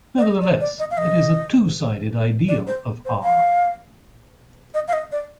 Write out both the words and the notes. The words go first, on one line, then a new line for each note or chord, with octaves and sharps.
Nevertheless, it is a two-sided ideal of "R".
D5
D#5
D5
D5
D#5
F5
D#5
D5
C5
C5
F5
D#5
F5
D#5
D5